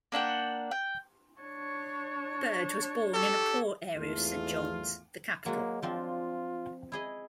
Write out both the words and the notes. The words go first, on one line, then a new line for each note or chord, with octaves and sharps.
Bird was born in a poor area of Saint John's, the capital.
A#3 D4 F#5 G5
G5
D4 C#5
G4 A4
G#1 E2 A3 F4
F#3 G#3 A#3 F#4
F3 C4 D4 F4
E4 G#4 D#5